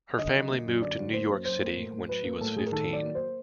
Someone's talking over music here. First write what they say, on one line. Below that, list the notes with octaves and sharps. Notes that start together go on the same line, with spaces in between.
Her family moved to New York City when she was fifteen.
D3 D#5
F#3
A#3
F#2
D3 D5
F#3
A#3 C5
F#2
F#3 C5
A#3
A2
A2
F#3 B4
A#3 B4
A2 A4
A2 G#4
A#4
D#3 A4
F#3 D5
A#3
C5